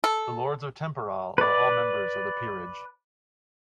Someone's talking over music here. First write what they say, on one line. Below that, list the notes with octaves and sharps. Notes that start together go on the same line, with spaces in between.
The Lords Temporal are all members of the Peerage.
A4
B4 D5